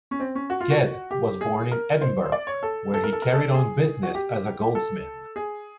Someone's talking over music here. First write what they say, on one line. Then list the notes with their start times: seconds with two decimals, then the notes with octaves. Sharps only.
Ged was born in Edinburgh, where he carried on business as a goldsmith.
0.11 C#4
0.20 C4
0.35 C#4
0.50 F#4
0.61 F4
0.70 F#4
1.11 G4
1.41 G#4
1.72 A#4
2.02 C5
2.32 D5
2.47 C#5
2.63 A4
2.94 A4
3.04 A#4
3.13 A4
3.22 A#4
3.33 A4
3.54 G#4
4.03 F#4
4.15 G4
4.75 A4
5.36 G#4